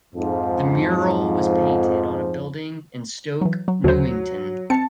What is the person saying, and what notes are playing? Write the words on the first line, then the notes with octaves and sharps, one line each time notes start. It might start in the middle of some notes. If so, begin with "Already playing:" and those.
The mural was painted on a building in Stoke Newington.
F2 G#2 F3
E3 F#3
F#3
D#2 D3 F#3 C5
C4 A5 C#7